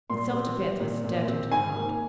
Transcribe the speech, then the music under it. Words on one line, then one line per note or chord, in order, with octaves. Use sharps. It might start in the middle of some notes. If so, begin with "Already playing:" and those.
In self-defence I stabbed him to the heart.
A#2 C6
C4
G3
A#2
A#2
C4
G#2 G#5
A#3